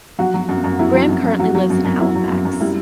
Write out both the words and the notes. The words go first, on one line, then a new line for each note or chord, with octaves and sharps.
Graham currently lives in Halifax.
F#3 F#4
F#3
F#2
F#2
F#3 E4
F#3
F#2
F#2
F#3 F#4
F#3
F#2
F#2
F#3 E4
F#3
F#2
F#2
G3 E4